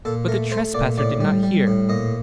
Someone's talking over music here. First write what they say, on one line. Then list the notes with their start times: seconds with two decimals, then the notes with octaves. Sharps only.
But the trespasser did not hear.
0.05 A#2 A4
0.28 A3 A#4
0.51 A3 C5
0.74 A#2 D5
0.98 A2 D5
1.21 G3
1.43 G3
1.67 A2
1.89 A#2 D#5